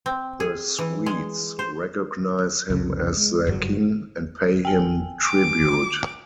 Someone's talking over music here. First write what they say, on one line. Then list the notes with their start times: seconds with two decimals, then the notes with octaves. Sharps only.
The Swedes recognize him as their king, and pay him tribute.
0.06 C4
0.40 G#4
0.79 E3
1.06 G#3
1.59 C5
2.70 C2 F2 C#3
3.17 G#3
3.47 F#1 G2 F#3
4.65 G5 G#5
5.25 D6